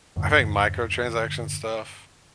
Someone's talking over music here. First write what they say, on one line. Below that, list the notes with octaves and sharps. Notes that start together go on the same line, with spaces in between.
I think microtransaction stuff
E2 G2 A#2 D3